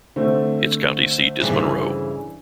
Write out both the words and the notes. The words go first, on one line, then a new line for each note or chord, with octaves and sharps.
Its county seat is Monroe.
D3 A3 C4
G2 C#3 E3